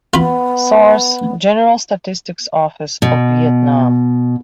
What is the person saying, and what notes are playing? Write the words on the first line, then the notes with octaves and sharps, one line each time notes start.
Source: General Statistics Office of Vietnam.
B3 F4 B5
B2